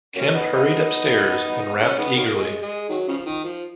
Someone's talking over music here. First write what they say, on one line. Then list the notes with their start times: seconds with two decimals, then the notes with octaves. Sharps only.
Kemp hurried upstairs and rapped eagerly.
0.16 F#3 A#3 C#4
0.34 B3 D#4
0.52 B3 D#4
1.80 C#4
1.98 D#3 G#3 B3
2.16 D#3 F#3 A#3
2.35 G#3
2.62 G#3
2.89 D#3 F#3
3.08 C#3 F3
3.26 D#3
3.44 F3